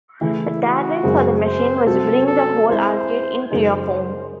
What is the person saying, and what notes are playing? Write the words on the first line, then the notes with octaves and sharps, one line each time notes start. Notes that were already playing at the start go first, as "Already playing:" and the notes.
The tagline for the machine was Bring the whole arcade into your home!
C#3 E3 A3 E4
F#4
F#2 C#3 G#3 C4
C5
C3 F#3 C4 F#4 A4
A4
G#3 C4 E4 C5
F#2 C#3 G#3 D#4 C5